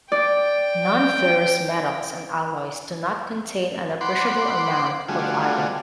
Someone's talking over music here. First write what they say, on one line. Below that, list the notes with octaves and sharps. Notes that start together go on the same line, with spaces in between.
Non-ferrous metals and alloys do not contain an appreciable amount of iron.
D5 G5
C5 F#5 B5 C6 D6
D3 G3 A3 F4 F#4 G#4